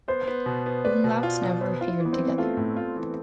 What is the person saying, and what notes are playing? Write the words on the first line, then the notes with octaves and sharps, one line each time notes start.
Umlauts never appear together.
B3 C5
B3
B2
B3
B4 D5
B2
F4
B2
B3 C5
F4
E4
E3
B3
C4
E3
A3 F4
A2
F4
E3